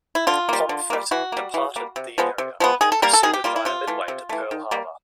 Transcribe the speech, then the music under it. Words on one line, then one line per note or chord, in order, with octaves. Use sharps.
"Pomfret" departed the area and proceeded via Midway to Pearl Harbor.
E4
D3 F4
G3 A#3
D3
G3 A#3
E3 F#4
G3 A#3
E3
G3 A#3
C3
F3 G#3 B3
C3
F3 G#3 B3
D#3 G#4
A4
G3 A#3 A#4
A4
D#3 G#4
G4
G3 A#3 F4
E4
C3 F4
E3 A3
C3
E3 A3
D#3
G3 A#3